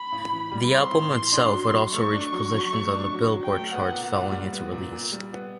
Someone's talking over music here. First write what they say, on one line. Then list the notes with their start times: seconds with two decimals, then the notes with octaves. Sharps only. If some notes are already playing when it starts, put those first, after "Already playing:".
The album itself would also reach positions on the "Billboard" charts following its release.
Already playing: B5
0.12 A2
0.33 E3
0.52 G3
0.72 C4 C6
0.92 A2
1.12 E3
1.33 D4
1.53 F#3
1.72 F#3
1.93 A3 C#6
2.13 D4
2.33 F#3
2.52 F#3
2.72 A3
2.93 D4
3.13 F#3
3.33 F#3
3.42 G5
3.53 A3
3.72 B3 F#5
3.92 A#2
4.13 A#2
4.32 G3
4.52 B3
4.72 A#2
4.92 A#2
5.12 G3
5.33 B3